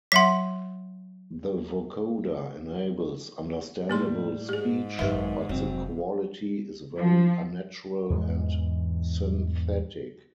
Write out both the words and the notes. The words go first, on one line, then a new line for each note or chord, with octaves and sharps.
The vocoder enables understandable speech, but the quality is very unnatural and synthetic.
F#3 E5 F#5 C6 B6
A2 G3 A#3 G4 C6
G#2 G4 G#4
G#1 F#2 D#3 G4 B4 E5
F1 F#3 C4
F3
E2 G#2 E3 G#3